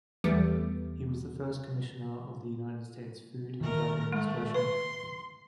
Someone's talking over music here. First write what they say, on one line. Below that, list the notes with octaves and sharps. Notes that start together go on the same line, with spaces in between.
He was the first commissioner of the United States Food and Drug Administration.
E2 G3 A3 B3 D6
D#3 A3 A#4
G#3 A3
B4 C6